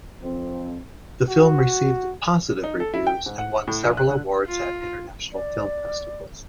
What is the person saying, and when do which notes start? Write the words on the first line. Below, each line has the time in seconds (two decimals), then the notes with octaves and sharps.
The film received positive reviews and won several awards at international film festivals.
0.23 F2 C4
1.29 F#4
2.64 D#4
2.80 A4
2.94 E4
3.07 G5
3.26 G#2
3.38 F#5
3.67 A2
3.83 A#1
3.97 F#6
4.09 D3
4.47 F4
5.33 D5